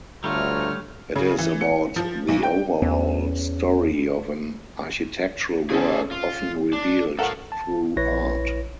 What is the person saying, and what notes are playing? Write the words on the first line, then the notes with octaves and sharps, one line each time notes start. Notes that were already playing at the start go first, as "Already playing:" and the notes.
It is about the overall story of an architectural work, often revealed through art.
D2 D3 G3 A3 F4 C#5 A#5 F6
C#3
E3
C#7
F3
B1
G5
E2 B3 C#4
C#3 C4 C#4 G#4 A4
F4
D4
A4 A#4 C#5 F5 F#5
A5
A#1 E4 B4 C#5 A#6